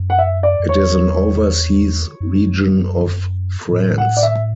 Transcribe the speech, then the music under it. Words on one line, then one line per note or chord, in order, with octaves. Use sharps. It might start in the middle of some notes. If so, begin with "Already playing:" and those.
It is an overseas region of France.
Already playing: F#2
F#5
E5
D5
F#2
E2 C#5
F#2
A2
F#5
D5
E5